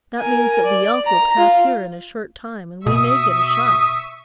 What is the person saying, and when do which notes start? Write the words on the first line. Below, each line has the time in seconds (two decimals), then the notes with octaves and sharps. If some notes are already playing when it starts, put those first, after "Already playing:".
That means that the elk will pass here in a short time and we may get a shot.
0.20 A#4 G#5
0.64 D5
1.05 A#5
1.37 F4
2.86 B2 E5 C#6 D#6